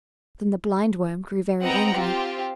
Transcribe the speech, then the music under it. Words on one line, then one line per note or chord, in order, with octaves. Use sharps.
Then the Blindworm grew very angry.
B3 C4 D#5 F#5 G5 A#5
C4 F4 G4